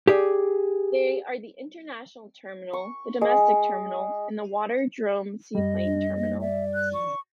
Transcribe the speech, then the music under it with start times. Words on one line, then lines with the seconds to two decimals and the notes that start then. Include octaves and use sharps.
They are the International Terminal, the Domestic Terminal and the waterdrome Seaplane Terminal.
0.07 G4 G#4 D5
2.73 C#6
3.21 G#3
5.55 F#2 G3 D#5
5.85 D4
6.18 A#3
6.41 D5 E5
6.75 F#6
6.94 C#6